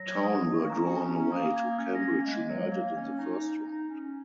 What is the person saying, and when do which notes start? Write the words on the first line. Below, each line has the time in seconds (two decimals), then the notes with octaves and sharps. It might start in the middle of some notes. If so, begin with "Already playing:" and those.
Town were drawn away to Cambridge United in the first round.
Already playing: F#3 A#6
0.08 G#6
0.23 D#6
0.39 G#3 D#6
0.54 A#3 C#6
0.70 C#4 A#5
0.86 F#4 G#5
1.01 C#4
1.09 A#5
1.17 C#4
1.32 A#3 D#6
1.56 G#6
1.79 C#4 G#6
1.95 A#6
2.11 G#6
2.21 A#3
2.26 G#3
2.50 F#3
2.72 A#3 G#6
2.96 C#4
3.19 D#4
3.35 D#4
3.50 D#4
3.66 D#4
3.89 C#4